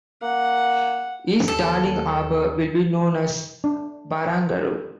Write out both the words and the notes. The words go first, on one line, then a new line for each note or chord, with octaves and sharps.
East Darling Harbour will be known as Barangaroo.
A#3 F#5
D#2 A4
D4